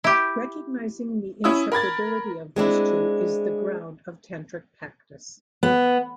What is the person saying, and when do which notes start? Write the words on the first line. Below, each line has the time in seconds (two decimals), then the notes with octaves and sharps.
Recognizing the inseparability of these two is the ground of tantric practice.
0.04 E4 G4
1.44 C#4 E4 D#6 E6
1.72 A#4 B5 G#6 A6
2.56 G#3 C4 D4 E4
5.63 B3